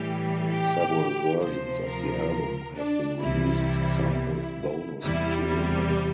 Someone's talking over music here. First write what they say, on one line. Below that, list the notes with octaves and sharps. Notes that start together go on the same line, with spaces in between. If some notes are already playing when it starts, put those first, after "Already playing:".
Several versions of the album have been released, some with bonus-material.
Already playing: A2 E3 G3 G4
G4
D2 C3 F3 C5
A#4
D4
C2 C3 E3 G3 E4
E4
E2 C3 G3 E4
E4